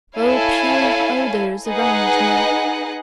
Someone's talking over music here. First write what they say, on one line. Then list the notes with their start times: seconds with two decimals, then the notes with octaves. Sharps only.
O pure odours around me!
0.17 E4 A4 C#5 F5 G#5
1.68 D#4 G#4 B4 D#5 F#5